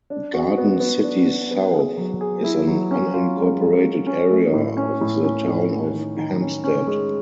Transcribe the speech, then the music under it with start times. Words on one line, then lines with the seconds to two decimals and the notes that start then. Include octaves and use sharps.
Garden City South is an unincorporated area of the Town of Hempstead.
0.10 D4
0.34 F#4
0.58 B3
0.80 B3
1.03 D4
1.27 B3
1.51 B3
1.74 G#4
1.97 F#3
2.21 G#4
2.44 E4
2.67 F#3
2.91 C#4
3.14 F4
3.37 G#3
3.61 G#3
3.84 G#3
4.07 C#4
4.31 A3
4.53 A2
4.77 C#4
5.01 A2
5.24 C#4
5.47 A2
5.70 C#4
5.94 D#3
6.17 D#3
6.40 C#4
6.64 C#4
6.87 G#3